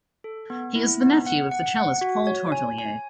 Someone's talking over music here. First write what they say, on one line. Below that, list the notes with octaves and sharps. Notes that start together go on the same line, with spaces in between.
He is the nephew of the cellist Paul Tortelier.
A4
B3
E4
B3
F#5
F#5
F#5
F#4
C#5
G#5
G#5